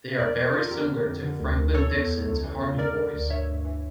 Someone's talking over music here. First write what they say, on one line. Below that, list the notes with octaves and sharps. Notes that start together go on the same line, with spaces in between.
They are very similar to Franklin Dixon's Hardy Boys.
E5
E2 A#4 D5
E3
A#4
E2 F4 A4
F2 G4 A#4
D3
F2
D3
D2
D2
E3 A4 C#5
E2
E2
C#2
E3
C#3
D3 A#4 D5
D3
D2
G2 C#5 E5
G2
E3